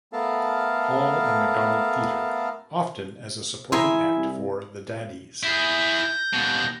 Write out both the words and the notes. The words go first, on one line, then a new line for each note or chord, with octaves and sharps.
Hall and McDonald Theatre, often as a supporting act for the Daddies.
A3 B3 A4 A#4 F5 A5
E3 E4 G#4 E5 G#5 A#5 C6
C2
E4 G#4 G6 A#6
D#2 B2